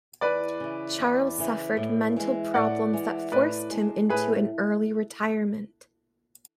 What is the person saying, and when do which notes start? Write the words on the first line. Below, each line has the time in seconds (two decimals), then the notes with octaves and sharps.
Charles suffered mental problems that forced him into an early retirement.
0.21 E2 B4 D5
0.60 C#3 E3
1.00 E2
1.38 C#3 E3
1.77 A2
2.16 E3 G#3
2.54 A2 D5 F#5
2.93 E3 G#3
3.32 A2 B4 D5
3.71 G#3 D4
4.10 A2 G#4 B4